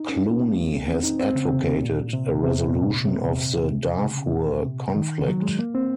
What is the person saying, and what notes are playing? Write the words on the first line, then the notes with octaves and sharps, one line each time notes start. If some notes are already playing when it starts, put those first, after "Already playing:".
Clooney has advocated a resolution of the Darfur conflict.
Already playing: D#4
C#4
C4
D#4
C4
C#3
C3
A#2
C3
C3
A#2
A#2
C3
A#2
C3
C#3
C#3
A#2
C3
D#3
F#3
G#3
A#3
C4